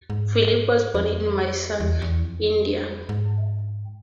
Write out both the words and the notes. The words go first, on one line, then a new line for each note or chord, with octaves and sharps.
Phillips was born in Madison, Indiana.
G#2
F2
E2
E2
F2
G#2